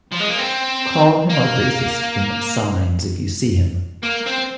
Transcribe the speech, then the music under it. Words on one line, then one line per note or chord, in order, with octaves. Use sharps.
Call him a racist in signs if you see him.
F3
G#3
A#3
C4
A#3
A#3
C4